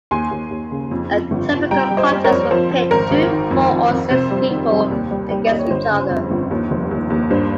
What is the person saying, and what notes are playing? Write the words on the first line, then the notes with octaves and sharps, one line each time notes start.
A typical contest would pit two, four or six people against each other.
D#2 G#5 C6
D#2
D#2
C#3
F2
F2
G1
F2
G3 G5 A#5
G3
C5 D#5
G3
A#4 C#5
F2
F3 C5
F3
G#1 A#4
G#1
D#3
F2
F2
F2
C3 C5
G3
D#3
G3
D#2
G3
G3
D#2 D#5
C#5
G1 C5
C#3
F2
G1
D#2
F1
D#2
D#2
G2 C5